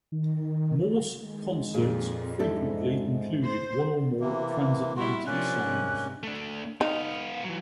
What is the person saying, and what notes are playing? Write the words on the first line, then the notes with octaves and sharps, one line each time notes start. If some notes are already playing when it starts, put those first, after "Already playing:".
Morse' concerts frequently included one or more Transatlantic songs.
D#3
D#3 G#3
F2 A#2 G#4
G#2 G#3 D4 E4 A4
C5
C3 E3 A#3
G3 E4 F#4 C6
C3 F3 A#3 C#4 D4 F#6
G#2 C3
A3 D4
B3 D#4 F5
E3 F#3